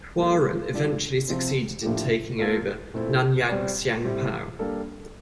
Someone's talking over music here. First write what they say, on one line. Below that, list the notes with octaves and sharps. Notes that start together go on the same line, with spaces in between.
Huaren eventually succeeded in taking over "Nanyang Siang Pau".
G3 A#3 F4 A4
G3 D4 F4 A4 D5
C3 F3 C4
A2 F3 A#3 D4 G4
A#3 F4 A4
A#2 A3 C4 E4 A4
G3 C4 G4 D5
A2 G3 C4 G4
G3 A#3 D4 A4